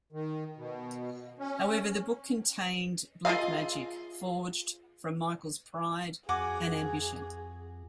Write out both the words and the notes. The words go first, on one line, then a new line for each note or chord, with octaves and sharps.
However, the book contained black magic forged from Michael's pride and ambition.
D#3
B2
C#4
F4 G#4 A#4 D#5 F5
F2 F#4 G#4 G#5 D6